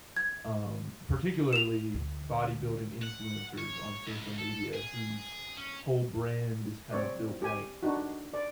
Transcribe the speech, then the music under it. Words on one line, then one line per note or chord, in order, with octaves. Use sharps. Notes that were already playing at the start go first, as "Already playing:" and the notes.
um, particularly bodybuilding influencers on social media whose whole brand is kind of built, like,
G#6
E7 F7
D2
F#5
C#5
C#2
A4
G#4
C#4
C4 C#5 D5
G4 G#5
D4 D#4 F#4
D5